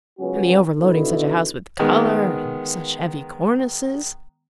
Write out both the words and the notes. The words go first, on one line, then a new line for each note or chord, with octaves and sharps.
And the overloading such a house with colour and such heavy cornices!'
C#2 F#3 B3 C#4 F#4
B2 D3 D#4 E4
D#3 G#3 B3